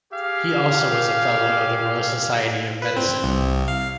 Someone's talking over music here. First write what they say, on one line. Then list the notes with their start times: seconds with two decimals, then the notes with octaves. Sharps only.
He also was a Fellow of the Royal Society of Medicine.
0.13 G4 G#4 F5
2.82 B4
2.97 C4
3.24 C2
3.68 F5